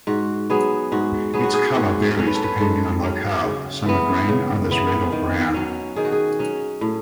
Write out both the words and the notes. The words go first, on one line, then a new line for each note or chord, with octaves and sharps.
Its color varies depending on locale: some are green, others red or brown.
G#2 F#4
F#3 B3 G#4
G#2 F#4
F#3 B3 G#4
F#4
G#4
G#2 F#4
F#3 C#4 C#5
B4
A4
B4
G#2 A4
F#3 C#4
C#3
E3 B3
C#3
E3 B3
D#3
F#3 C#4
D#3 G#4
F#4
G#4
F#3 C#4
A2